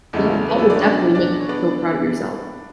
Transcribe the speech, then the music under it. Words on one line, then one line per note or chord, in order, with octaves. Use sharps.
Yeah, that would definitely make you feel proud of yourself.
E2 C#3 G#3 A3 C#4 A4
B4
A3 A4
D4 D5
C#5
B2 F#3 C#4 D4 D5
D4 D5
C#5
B3 D4 D5